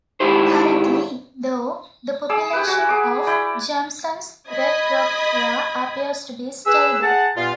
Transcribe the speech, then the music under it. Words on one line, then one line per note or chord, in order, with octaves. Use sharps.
Currently, though, the population of Jameson's red rock hare appears to be stable.
G#2 D#3 E4 G4 C5
G#4 D6 E6
G4 B4
F#4 G#5
G#4 D6
E4 D5 G5
D#5 B5 D#6 G#6
G#4 B4 E6
G#4 F#5 A5
G2 A#2 B3 F4